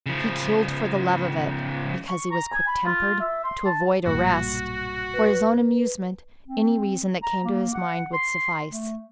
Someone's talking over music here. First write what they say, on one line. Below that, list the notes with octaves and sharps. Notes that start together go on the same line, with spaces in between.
He killed for the love of it--because he was quick-tempered-- to avoid arrest--for his own amusement--any reason that came to his mind would suffice.
C#3 F3
C#6
A#5
G#5
B5
F4
E5
C6
A5
B1 G2 A#2 F#4
B4
C4
A#5
A#3
F#5
C6
A3